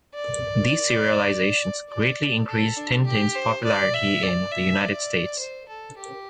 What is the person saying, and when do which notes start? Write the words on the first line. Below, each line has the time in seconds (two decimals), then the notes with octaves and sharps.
These serializations greatly increased Tintin's popularity in the United States.
0.15 D5
1.90 D5
2.48 A4
2.77 D4
3.06 G4
3.35 C5
3.64 D5
3.93 E5
4.23 D5
4.52 E5
4.81 D5
5.39 C5
5.69 A4
5.98 G4